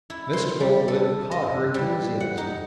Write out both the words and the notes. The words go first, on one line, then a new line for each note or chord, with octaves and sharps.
Mr. Boltwood caught her enthusiasm.
E4
C6
G3
A4
D#5
G3
F#5
D#4